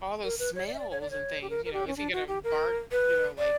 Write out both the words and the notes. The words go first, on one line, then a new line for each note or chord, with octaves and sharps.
All those smells and things, you know, is he gonna bark? You know, like
A#4
B4
C#5
D5
E5
D5
C#5
D5
C#5
G4
A#4
A#4
G4
C#4
D4
F#4
G4
A#4
B4
D5